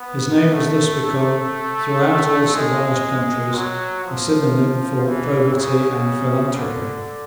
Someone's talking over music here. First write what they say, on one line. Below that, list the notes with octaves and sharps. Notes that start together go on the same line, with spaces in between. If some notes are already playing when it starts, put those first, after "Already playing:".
His name has thus become, throughout all civilised countries, a synonyme for probity and philanthropy.
Already playing: B3
A3
G#3
F#3
F3
E3
C#3
D3